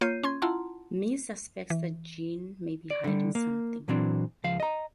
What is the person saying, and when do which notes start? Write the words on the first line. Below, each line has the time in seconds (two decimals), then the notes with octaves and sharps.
Mi suspects that Jeanne may be hiding something.
0.01 A#3 F4 C#5 G6 C7 D#7
0.23 C#4 C6 G#6
0.42 E4 F4 F#5 A5 A#5 C6
1.70 E3
2.90 D5
3.04 D3 G3
3.35 A#3
3.88 A#2 E3 F#3 C4 D4
4.44 C#2 F3 F5
4.60 D#5 A#5